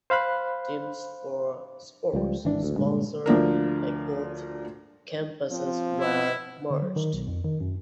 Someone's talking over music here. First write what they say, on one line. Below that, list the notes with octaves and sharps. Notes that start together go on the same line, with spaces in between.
Teams for sports sponsored by both campuses were merged.
C5 F5 B5 F#6
C#2 F3 G3
G#1 E3 D4
D2
G2 A#2 D3 G#3
D2 F3 D4 A#4
F3 C4
E4
D3
F#3
D#3
B1
F2
D#3
F#2